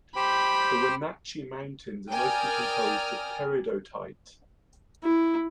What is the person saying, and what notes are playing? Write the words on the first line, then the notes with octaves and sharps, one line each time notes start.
The Wenatchee Mountains are mostly composed of peridotite.
G4 C5 G5 B5
A#4 D5 G5 G#5 D#6 F6
E4